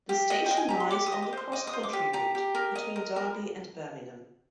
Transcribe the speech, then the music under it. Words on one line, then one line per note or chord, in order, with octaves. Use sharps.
The station lies on the Cross Country Route, between Derby and Birmingham.
G4
D#5
D#5 G5
G#5
G4 A#5
C6
G4 D6
D#6
D#5
D6
C5 C6
D#5 D6
D#6
C5
D6
G4
G4 A#5
G4
A#4
D#5
A#4
A#4